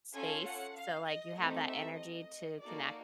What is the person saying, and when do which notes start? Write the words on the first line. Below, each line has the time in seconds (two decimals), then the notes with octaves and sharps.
space, so, like, you have that energy to connect
0.13 C#4 F4 A4 G#5
0.44 F#5
0.75 F5
1.06 D#5
1.37 A3 C4 D#4 G4
1.68 E5
1.99 D#5
2.61 A#3 D#4 F#4 A4 D5